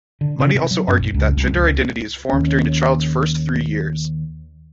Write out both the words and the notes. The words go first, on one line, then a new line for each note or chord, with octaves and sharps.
Money also argued that gender identity is formed during a child's first three years.
D3
C#3
C3
F#3
F#2
A#1
C#2
C2
C#2
D#2 C#4